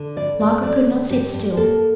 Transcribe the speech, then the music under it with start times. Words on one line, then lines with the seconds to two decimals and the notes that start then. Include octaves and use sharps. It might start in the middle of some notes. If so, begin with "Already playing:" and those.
Margaret could not sit still.
Already playing: D3
0.16 G2 D5
0.40 G2 D5
0.63 A3 D5
0.87 D3
1.10 G2 G4
1.34 G2
1.57 A#3 A4